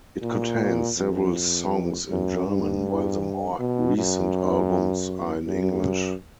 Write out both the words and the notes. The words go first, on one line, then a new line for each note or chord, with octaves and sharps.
It contains several songs in German, while the more recent albums are in English.
A#2
F2
F#2
G2
B2
F#2
F#2